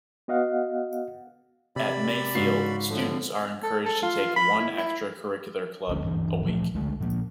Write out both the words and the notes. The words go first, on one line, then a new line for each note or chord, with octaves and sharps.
At Mayfield students are encouraged to take one extra curricular club a week.
B3 F#4 D#5 F5 F#5
C3 D5 B5
G#2 C#3 F#4 C7
A2 D3 F3
A4
A4
F4
B5
E4
E4
D2 C#4
D1 G2 E3
A#2 F3 G3 A3
C#2 D3 G#3 A3
A#2 F3 G#3 A#3